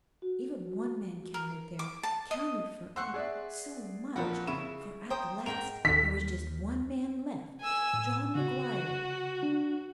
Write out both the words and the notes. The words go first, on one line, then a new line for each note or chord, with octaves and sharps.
Even one man counted there--counted for, oh, so much!--for at the last there was just one man left----John McGuire.
F#4
A#4
D6
A5
D#5
C5 F#5 C#6 E6 F#6
G#4 D5 E5
A#1 F3 F#4 A#4 B4 F#5
C#3 E4 C#6 E7
C5 G5 A#5 D#6
G#2 A#4 G5 A#5 F7
D#2 B6
G#5 E6
A2
C#3 F#4
D4